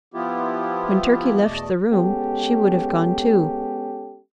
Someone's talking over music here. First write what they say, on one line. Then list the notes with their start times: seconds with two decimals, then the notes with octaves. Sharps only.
When Turkey left the room, she would have gone too.
0.14 F3 B3 E4 F4 G4
1.44 E2 B2 A3 D5 D#5 A5
1.92 G#3 B3 C#4 G4 A4